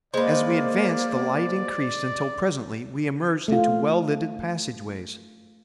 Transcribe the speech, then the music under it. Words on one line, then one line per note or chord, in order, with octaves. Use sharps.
As we advanced the light increased until presently we emerged into well-lighted passageways.
G#3 A#3 B4 C5 D5
A3 F4